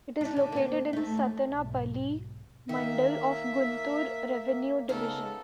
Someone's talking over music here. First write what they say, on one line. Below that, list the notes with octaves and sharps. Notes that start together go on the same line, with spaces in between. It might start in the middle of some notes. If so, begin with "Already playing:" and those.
It is located in Sattenapalle mandal of Guntur revenue division.
D4 D#4
D3
A#3 C4
A3 D#4
D#2
B1 G#2
D#3 A#3 E5
C#3 B3 D#4 A4 A#4